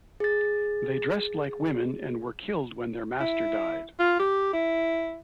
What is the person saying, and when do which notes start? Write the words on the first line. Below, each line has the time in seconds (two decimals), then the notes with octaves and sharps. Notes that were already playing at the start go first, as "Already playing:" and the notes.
They dressed like women and were killed when their master died.
0.20 G#4 A6
3.20 E4
3.99 F4
4.19 G4
4.53 E4